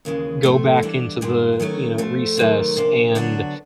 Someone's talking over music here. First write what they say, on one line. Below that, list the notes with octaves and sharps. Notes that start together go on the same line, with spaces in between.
go back into the, you know, recess and,
D#2 C#3 E3 G#3
A2 F3 A3
G2 E3 G3 B3 D4
G2 D#3 G#3 B3
D#3 F#3 A3 C#4 E4
G#2 F3 A3
C3 D#3 F#3 A3
D2 C3 F3 A#3 D4
D3 F#3 B3 D4 F#4